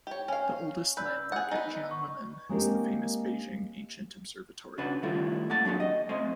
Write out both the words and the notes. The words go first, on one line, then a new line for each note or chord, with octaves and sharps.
The oldest landmark at Jianguomen is the famous Beijing Ancient Observatory.
G4 C#5
C#4 F5 G#5
B4 D5 E6 G6
G#4 F#5
B3 D#4
C#6
G#3 A#3 C4 D4 G4 A#4
C#3 D4 F#4 B4
D#3 G3 A3 E4 F4
A#3 F#5 A5
F#3 D4 F#4 G4
D#5
A3 C4 C5 D#5